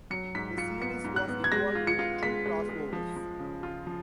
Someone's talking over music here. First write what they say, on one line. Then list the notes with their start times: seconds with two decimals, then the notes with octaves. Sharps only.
The series was involved with two crossovers.
0.10 F#3 C#7
0.35 G#2 B6
0.58 F4 C#7
0.82 B3 C#7
1.04 G#2
1.16 F#6
1.28 B3
1.44 G#6
1.52 G#3 A#6
1.75 F4
1.87 C#7
1.99 F4
2.23 G#3 B6
2.46 G#3
2.69 G#3
2.93 F3
3.16 F3
3.40 C#3
3.63 F4
3.87 F3